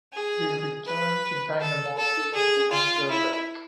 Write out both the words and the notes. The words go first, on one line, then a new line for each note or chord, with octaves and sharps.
He returned to Dinamo during the winter break.
G#4
B4
A4
A4
G#4
F4
E4